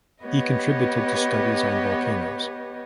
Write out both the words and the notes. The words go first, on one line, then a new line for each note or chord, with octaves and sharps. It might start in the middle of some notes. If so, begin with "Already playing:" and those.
He contributed to studies on volcanoes.
B3 G4 B4 C#5 D#5